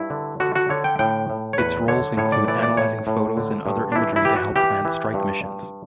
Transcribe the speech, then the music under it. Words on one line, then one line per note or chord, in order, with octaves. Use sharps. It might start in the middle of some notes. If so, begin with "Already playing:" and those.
Its roles include analysing photos and other imagery to help plan strike missions.
Already playing: G2 E4
D3
D3 F#4
F#4
D3 C#5
G5
A2 G5
A2
C#5
E2 B4
D3 C#5
A2 C#5
D5
E3 D5
D5
A2 C#5
A2
D3
G2
D4
E3 E4
E4
E3 G4
F#4
E3 G4
E3
G2
G2